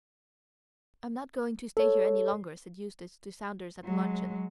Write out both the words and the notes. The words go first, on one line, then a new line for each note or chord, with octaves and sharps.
"I'm not going to stay here any longer," said Eustace to Saunders at luncheon.
A4 C#5
F#3 G#3